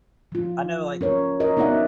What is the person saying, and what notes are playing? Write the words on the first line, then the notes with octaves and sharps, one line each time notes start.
I know, like
F3 F4
C#4 A#4 C#5
F#4 A#4 D#5
B3 D#4 F#4 D5 E5 F#5